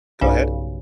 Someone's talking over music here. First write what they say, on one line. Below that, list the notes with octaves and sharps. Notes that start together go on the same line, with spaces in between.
Go ahead.
B1 G2 C#3